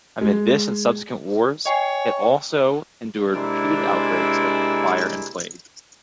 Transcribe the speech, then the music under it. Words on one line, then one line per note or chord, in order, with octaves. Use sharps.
Amid this and subsequent wars, it also endured repeated outbreaks of fire and plague.
G#3
C#5 D#5 G5 G#5
C3 G#3 A#3 D4 E4